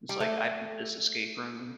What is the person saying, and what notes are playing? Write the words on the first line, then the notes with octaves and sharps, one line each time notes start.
That's like, "I beat this escape room."
G3
A3